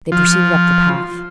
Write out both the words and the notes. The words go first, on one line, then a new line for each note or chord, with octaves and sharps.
They proceeded up the path.
F3